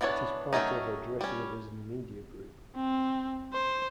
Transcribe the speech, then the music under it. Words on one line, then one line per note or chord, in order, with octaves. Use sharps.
It is part of Adresseavisen Media Group.
E3 B3 D4 G#4 C#5
D#3 F#3 A3 C#4 D#4
G3 C#4
C4
C5